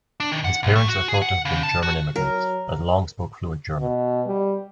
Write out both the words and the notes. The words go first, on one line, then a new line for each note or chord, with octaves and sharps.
His parents are thought to have been German immigrants, as Long spoke fluent German.
D4
D#3
F#5
B1
A3
F#4
G#4
F#5
C#3
A5
F#4
F#3 A#4
B2
G3